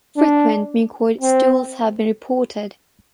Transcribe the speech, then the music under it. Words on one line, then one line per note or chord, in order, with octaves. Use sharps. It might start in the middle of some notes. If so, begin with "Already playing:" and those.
Frequent mucoid stools have been reported.
D4
C4